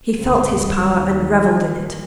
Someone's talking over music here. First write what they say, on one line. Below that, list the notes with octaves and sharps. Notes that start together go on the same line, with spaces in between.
He felt his power and revelled in it.
C#2 G2 B2 D3 A#3 C4
D#2 G3